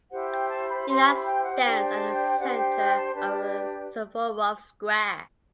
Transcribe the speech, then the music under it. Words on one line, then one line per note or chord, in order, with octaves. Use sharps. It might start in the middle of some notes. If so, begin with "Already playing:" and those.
It now stands at the centre of Suvorov Square.
E4 G4 C5 F#5
G5
A5
B5
E4 G4 C5 C6
B5
G5
F#5
D4 G4 C5 G5
A5
G5
D4 G4 C5 F#5
G5
G5
A5
D4 G4 B4 A5